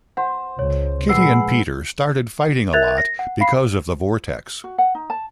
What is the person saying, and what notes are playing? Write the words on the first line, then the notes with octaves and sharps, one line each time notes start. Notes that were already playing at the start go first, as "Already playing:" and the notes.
Kitty and Peter started fighting a lot because of the Vortex.
C5 F#5
C#2 C#5
A#2 F3 G#3 B4 F#5 G#5 E6 C7
A#4 E5 F#6 G#6 A6 F7
A#6
F#5
F5 B5 C7
F#4
F#5
D#4
A5